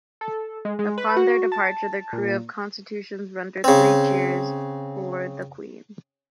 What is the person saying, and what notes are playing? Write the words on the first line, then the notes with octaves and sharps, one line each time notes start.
Upon their departure, the crew of "Constitution" rendered three cheers for the Queen.
A4
G#3
G#3
B4
F#4
A5
A#2
C#3 C4